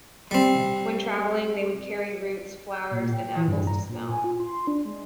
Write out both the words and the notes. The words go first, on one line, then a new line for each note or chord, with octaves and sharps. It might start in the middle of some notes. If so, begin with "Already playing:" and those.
When traveling, they would carry roots, flowers and apples to smell.
G3 C4
G6
A#2
G5
E3
G2
A#5
A#2
G#5
F4
C6
D4
G#3